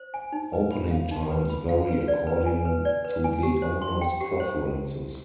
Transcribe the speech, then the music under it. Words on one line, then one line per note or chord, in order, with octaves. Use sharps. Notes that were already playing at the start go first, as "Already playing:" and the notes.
Opening times vary according to the owners' preferences.
Already playing: C5
G#5
D#4
B4
B5
F5
D#4
B4
B5
F5
B4
D5
B4
G#5
B4
D5
B4
G#5
G4
C5
C6
G5
G4
C5